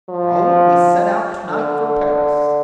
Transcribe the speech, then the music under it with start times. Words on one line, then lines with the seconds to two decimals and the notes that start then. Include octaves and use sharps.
"Raoul, we set out to-night for Paris."
0.10 F3
1.48 D3